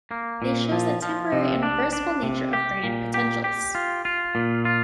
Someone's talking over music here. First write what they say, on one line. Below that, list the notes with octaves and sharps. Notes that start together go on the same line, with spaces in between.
This shows the temporary and reversible nature of graded potentials.
A#3
A#2
F3
F3
C3
D4
D4
C3
G4
A#2
G4
G4
F4
F4
A#2
F4